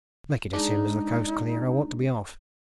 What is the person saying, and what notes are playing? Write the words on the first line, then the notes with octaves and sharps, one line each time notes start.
"Make it as soon as the coast's clear--I want to be off."
G#3 D4 D#4